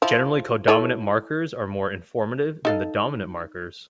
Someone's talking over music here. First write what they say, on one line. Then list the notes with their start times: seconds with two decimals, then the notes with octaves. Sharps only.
Generally co-dominant markers are more informative than the dominant markers.
0.02 F3 E4
0.68 E4 A4 C#5
2.65 D#4 A4 F5